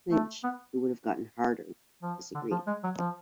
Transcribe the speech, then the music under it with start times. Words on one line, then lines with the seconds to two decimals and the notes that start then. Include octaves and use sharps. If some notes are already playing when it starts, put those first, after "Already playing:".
Lynch, who would have gotten "Harder", disagreed.
0.12 A3
0.44 B3
2.03 F3
2.35 D3
2.51 F3
2.67 G#3
2.84 F#3
2.99 F3